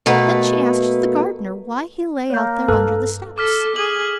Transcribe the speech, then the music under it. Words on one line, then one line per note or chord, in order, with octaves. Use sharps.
Then she asked the gardener why he lay out there under the steps.
B2 A3 A#3 B4
A#3 C#5 G6
G2 D4 A4 B4 F6 F#6
A4 D6 F6 B6
G#4 F#7